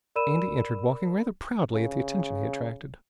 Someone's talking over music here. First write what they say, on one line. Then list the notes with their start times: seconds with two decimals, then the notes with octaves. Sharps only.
Andy entered, walking rather proudly at the attention he attracted.
0.16 A#4 D5 B5 E6 D#7 E7
1.73 C#3